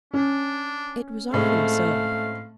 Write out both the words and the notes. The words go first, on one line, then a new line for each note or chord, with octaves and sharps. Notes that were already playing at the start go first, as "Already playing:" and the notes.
It was often so.
C#4 D4
A2 G#3 A3 C4 F5